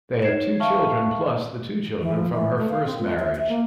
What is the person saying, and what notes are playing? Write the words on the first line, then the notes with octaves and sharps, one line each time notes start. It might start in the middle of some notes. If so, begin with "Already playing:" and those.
They have two children plus the two children from her first marriage.
D#4 C#5 G#6 C7 E7
E5 F5 G5 A5 C#6 F6
E3
F3
E3
A3
F5
C4
F4
E5
E5
A#3